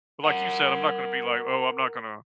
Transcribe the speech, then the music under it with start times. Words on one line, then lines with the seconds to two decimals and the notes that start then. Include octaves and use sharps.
but like you said, I'm not gonna be like, "Oh, I'm not gonna
0.25 A#4 F#5